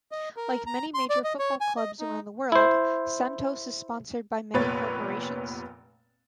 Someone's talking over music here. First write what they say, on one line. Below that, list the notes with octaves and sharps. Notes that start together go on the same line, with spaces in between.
Like many major football clubs around the world, Santos is sponsored by many corporations.
D#5
A#4
A#5
C6
D5
D#5
C#5
G#5
D#5
D#4
E4 C5
F1 A#2 B3 B4 C#5 A6